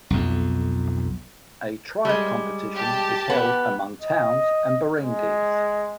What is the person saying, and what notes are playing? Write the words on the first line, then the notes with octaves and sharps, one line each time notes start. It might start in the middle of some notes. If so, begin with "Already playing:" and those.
A tribe competition is held among towns and barangays.
B1 F2
G3 G#3
G4 A5
B3
D#5
G#3